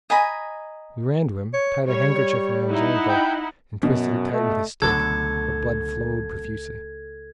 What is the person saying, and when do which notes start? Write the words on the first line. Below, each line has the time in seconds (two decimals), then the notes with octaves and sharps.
We ran to him, tied a handkerchief round his ankle, and twisted it tight with a stick; but blood flowed profusely.
0.10 D#5 G#5 A#5 B5
1.54 C#5
1.89 G3 C#5
2.69 D#4 E4 F#5
3.09 G5
3.83 F#2 B2
4.32 A3
4.82 C#2 B2 D3 F#3 A3 A4 G#6